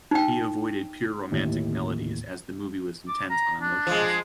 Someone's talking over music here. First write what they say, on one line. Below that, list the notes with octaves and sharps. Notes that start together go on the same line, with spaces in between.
He avoided pure romantic melodies as the movie was intense on emotions.
D#4 G5
G1 D#2 A2
D6
A#5
D4
F3 G#3